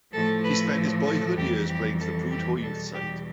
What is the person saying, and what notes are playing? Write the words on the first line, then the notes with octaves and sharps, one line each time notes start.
He spent his boyhood years playing for the Prudhoe youth side.
A2 F3 A3 A4
B4
A4
F2 E3 G3 G4
G4
A4
G4
E2 B2 G3 A4
G4